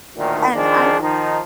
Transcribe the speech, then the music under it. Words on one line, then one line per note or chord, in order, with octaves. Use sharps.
And I'm
D2 A#2 D#3
D#3 F3 D4 G#4
D#3 F3 D#4